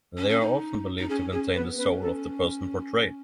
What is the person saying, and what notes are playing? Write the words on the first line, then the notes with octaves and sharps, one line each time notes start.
They are often believed to contain the soul of the person portrayed.
C#4
C#4
D#4
D#4
C#4 G#4
C#4 G#4
B3 B4
C#4 B4
A4